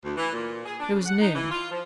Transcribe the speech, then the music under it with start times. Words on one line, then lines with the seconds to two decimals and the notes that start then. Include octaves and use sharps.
It was noon.
0.05 D2
0.17 E3
0.33 A#2
0.66 G#4
0.80 D4
0.93 C#3
1.06 F#5
1.22 D#4
1.35 E3
1.51 F4
1.71 F3